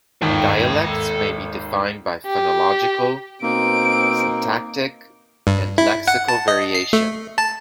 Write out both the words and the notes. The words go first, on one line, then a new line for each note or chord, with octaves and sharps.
Dialects may be defined by phonological, syntactic and lexical variation.
G#1 D#2 A4 G5
G4
B2 A#3 C4 D#4 D7
G2
E4
F#5
A5
D#5
C7
A3
A5